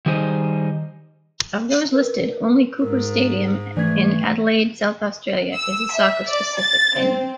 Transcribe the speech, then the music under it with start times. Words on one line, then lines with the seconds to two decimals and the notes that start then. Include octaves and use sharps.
Of those listed, only Coopers Stadium in Adelaide, South Australia is a soccer-specific venue.
0.06 D#3 G3 D#4 G#4 C5
1.93 A#4 B4
2.82 G#2 A#4
3.77 E3 A3 D5 G#6
5.54 E6
5.92 E5
6.28 D5
6.60 A6
6.98 C4